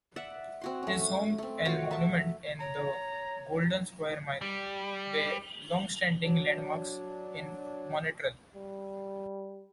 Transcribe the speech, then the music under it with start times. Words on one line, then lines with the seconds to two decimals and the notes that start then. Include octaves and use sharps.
His home and monument in the Golden Square Mile were longstanding landmarks in Montreal.
0.16 D5 E5 F#5
0.61 C4 F#4 C6
0.83 A3 C#4
1.38 A3 C4
1.65 F4 F#4 C#5 F5
1.91 E5 A5
2.60 C#5 A#5
4.41 G3
6.19 F#3 D4
8.55 G3